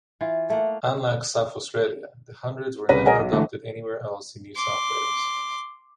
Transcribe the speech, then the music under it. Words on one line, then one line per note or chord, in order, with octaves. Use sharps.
Unlike South Australia, the hundreds were never adopted anywhere else in New South Wales.
E3 F4
A3 A#3 F#5
C2 C#3 B4 A#6 D#7
G#4 A#4 D#5 F#5 G#5
B1
D3 E3 G#3 A3
C6 D6